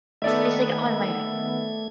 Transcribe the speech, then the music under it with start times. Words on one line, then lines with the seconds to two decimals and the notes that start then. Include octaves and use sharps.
is like, on my
0.22 D#3 A3 B3 A4 D5 E5 G#6